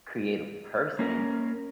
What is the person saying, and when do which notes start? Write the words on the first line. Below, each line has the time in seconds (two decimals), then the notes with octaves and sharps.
creative person,
0.99 A#3 C#4 A#4